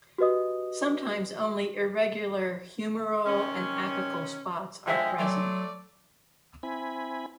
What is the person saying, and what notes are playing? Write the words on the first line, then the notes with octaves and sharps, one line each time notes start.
Sometimes only irregular humeral and apical spots are present.
F#4 G4 B4 D#5 D#6
C3 D#3 C#4
D3 F3 G#3 E5 G5 G#5 E6
F#3 A3 D5 C6
C4 E4 G#5 B5